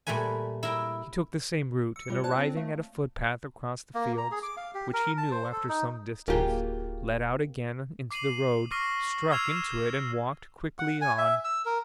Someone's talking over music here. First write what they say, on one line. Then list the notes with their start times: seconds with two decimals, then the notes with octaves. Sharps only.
He took the same route; and arriving at a footpath across the fields: which he knew, after some distance, led out again into the road; struck into it, and walked quickly on.
0.07 A#2 G3 A3 B4 G#5
0.63 E4 A#4 G5
1.96 E6 C#7
2.10 G3 F4 C#5
2.24 C5 D5 A5 F#6
2.38 C4
2.57 A3 F5
3.94 A#3
4.17 A#5
4.31 G#4
4.43 D6
4.57 F5
4.74 G4
4.93 A#4
5.17 A5
5.31 C5
5.52 A4
5.69 D#4
6.28 D1 F#3 A#3 F4 G4 G#4
8.11 D6 C7 D#7 F#7
8.71 C#6 D6 F6 A#6 C7 D#7
9.30 E6 F6 G#6 C7 E7 F7
9.56 E7
10.79 F#5
11.02 G#5
11.18 E5
11.45 E6
11.66 A#4